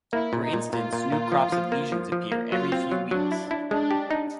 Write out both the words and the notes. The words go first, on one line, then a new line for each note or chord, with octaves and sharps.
For instance, new crops of lesions appear every few weeks.
A#3 E4
A#2
D#4
A#2
A#2 F4
A#2
A#2
F3
F3
A#3
F3
F3
A#3
F#3 F4
C4
F#3
F#3 D4
E4
E4
G#3 D4
G4
D#4